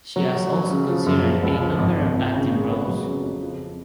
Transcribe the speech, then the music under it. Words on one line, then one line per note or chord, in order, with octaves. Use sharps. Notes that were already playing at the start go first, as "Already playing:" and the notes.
She has also considered a number of acting roles.
F#3
F#3
F#3
C#3
F3
F#2
F3
C#2
F3
G#1
G#1
G#1
C#3
G#3
B3
F#3
C#3
F2
F3